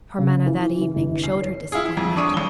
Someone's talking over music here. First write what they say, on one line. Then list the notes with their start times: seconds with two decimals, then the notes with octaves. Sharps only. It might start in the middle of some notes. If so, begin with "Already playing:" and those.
Her manner that evening showed her disappointment.
0.19 C#3
0.46 E3
0.82 E3
0.96 G1
1.24 C7
1.42 C#5
1.72 E4 F4 G#4
1.85 E4
1.97 F2
2.16 E1 D4 C#6 D#6 D#7
2.34 A1 G7